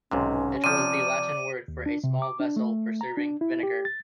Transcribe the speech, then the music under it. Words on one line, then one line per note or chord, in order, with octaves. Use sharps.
It was the Latin word for a small vessel for serving vinegar.
B1 G#2 C3 C#4
C3 F3 D5 D#7
D#2
D4
C3
D6
D4
A3
A#5
D4
E4
G4
A6